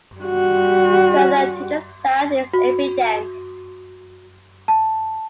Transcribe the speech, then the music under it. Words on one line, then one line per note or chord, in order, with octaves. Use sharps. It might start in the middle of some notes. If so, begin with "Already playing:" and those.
Further to the south is Epigenes.
G3 F#4
F#4
A5